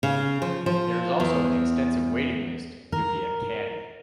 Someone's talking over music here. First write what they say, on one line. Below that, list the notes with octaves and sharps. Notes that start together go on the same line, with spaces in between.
There is also an extensive waiting list to be a caddy.
C#3
F3
F3
E2
A#4